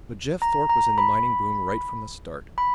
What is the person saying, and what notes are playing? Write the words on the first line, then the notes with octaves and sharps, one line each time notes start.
But Jeff Thorpe was in the mining boom right from the start.
A#5
A#5
B5
B5